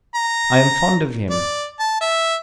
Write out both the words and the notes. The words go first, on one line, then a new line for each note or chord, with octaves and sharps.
I am fond of him.
A#5
D5
A5
E5